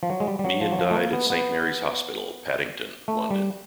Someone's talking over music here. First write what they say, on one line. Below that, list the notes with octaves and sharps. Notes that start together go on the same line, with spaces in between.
Meehan died at Saint Mary's Hospital, Paddington, London.
F3
F#3
G#3
G3
G3
F#3
F3
F#3
F3
A3
A#3
B3
B3
A3
G3